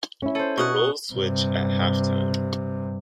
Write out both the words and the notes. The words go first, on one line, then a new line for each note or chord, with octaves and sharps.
The roles switch at half time.
C#4 E4
A4 C5 C#5
B2 C#6 D#6 F#6
G2 C3